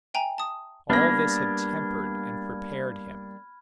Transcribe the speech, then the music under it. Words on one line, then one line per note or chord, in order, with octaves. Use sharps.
All this had tempered and prepared him.
E5 G5 G#5 A#5
A5 D#6
G3 A#3 B3 D4 B5 F6 G#6 A#6